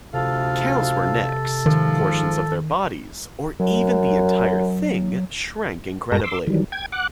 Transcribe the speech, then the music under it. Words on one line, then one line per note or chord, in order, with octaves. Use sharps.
Cows were next, portions of their bodies, or even the entire thing, shrank incredibly.
D2 C3 F3 A4 F5
G#2 D#3 F3
F#2 F#3
G2 G#3 F#4 A#4 A5 A#6
C6 D6 E6
D#3 E3 F#3 G3
G5 G#6
F#5 D6 F#6